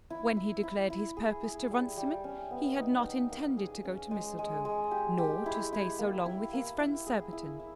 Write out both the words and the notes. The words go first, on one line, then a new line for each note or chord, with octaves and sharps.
When he declared his purpose to Runciman, he had not intended to go to Mistletoe, nor to stay so long with his friend Surbiton.
E4
E4
E4
E4
G#4
G#4
G3
G3
C#4
B3
D#4
D#4
A#3
G#4
C#4
G#3
G#3
G#3
G4
G4
E4
E4
A#3
E4
A#3
E4
G#4
E4
E4